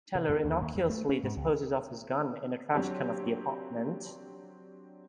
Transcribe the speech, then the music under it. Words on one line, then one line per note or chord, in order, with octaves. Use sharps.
Teller innocuously disposes of his gun in a trashcan of the apartment.
C3
E2
D#2
D#2
F2
A3
C#4
G#2
C#2
F#3 C4 D4 G4 C#5